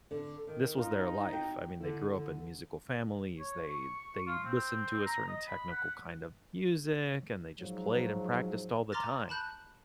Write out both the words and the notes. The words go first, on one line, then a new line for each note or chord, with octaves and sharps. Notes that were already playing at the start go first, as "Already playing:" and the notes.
this was their life, I mean, they grew up in musical families, they they listened to a certain technical kind of music, and they just played and practiced all the time.
D3
D#3
D#4 F4
F#4 G5
D3 E4
D3
C#5
C#6
F4
C4
A#5
D#5
B5
F#5
G#2 F3 F#3
A#5 C6 D6 F6 A6 A#6
A5 B5 F#6 G6